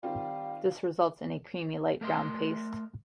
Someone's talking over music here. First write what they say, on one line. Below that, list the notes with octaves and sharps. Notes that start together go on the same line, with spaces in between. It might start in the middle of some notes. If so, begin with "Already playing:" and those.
This results in a creamy, light brown paste.
D#3 G3 C4 F4 F5
A3 A#4 D#5 C6